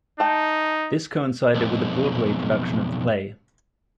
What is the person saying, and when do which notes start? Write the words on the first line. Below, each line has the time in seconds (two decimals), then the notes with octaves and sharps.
This coincided with a Broadway production of the play.
0.20 A3 D#4 G5
1.55 B1 F2